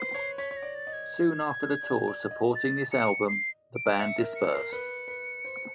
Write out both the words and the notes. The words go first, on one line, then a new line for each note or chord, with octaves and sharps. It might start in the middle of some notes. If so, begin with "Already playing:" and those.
Soon after the tour supporting this album, the band dispersed.
Already playing: B4 C5 C7
C#5
C#5 B6
C#5
A#6
D5
A6
D#5
G#6
D5
D5
D#5
A6
C#7
C7
D7
E5 C#7
A#4
C#7
A#4 C7
B4 C#7
B4
C5